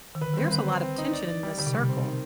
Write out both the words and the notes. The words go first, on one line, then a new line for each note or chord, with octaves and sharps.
There's a lot of tension in this circle.
D#3
D3 B4
D#3 C4
G3
D3 B4
C4
C4
D#4
D5
D5
G3
D3 G3
C3
B2 G3
C3
C4
D#3